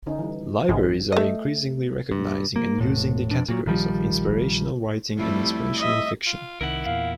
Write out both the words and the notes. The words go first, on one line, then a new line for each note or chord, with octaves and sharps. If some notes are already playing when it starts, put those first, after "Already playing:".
Libraries are increasingly recognizing and using the categories of inspirational writing and inspirational fiction.
D3 C#4 D#4
E3 G3
A1 G#2
A3 D#5
G2
A#3
E1 A2
F2 B2 D4
A#2 F#3
A#1 D#3 F3 G3
F2 G3 A3 E4
D#5 E5
F4
C2 D#3 E4 A#4 F#5
E2 A#2 F5